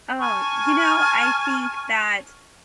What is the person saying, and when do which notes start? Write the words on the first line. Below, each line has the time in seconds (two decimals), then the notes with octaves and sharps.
Oh, you know, I think that
0.20 G#5 A5 C#6 F6